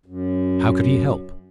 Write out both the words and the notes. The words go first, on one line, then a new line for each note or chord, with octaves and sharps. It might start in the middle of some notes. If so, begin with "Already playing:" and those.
How could he help?
F#2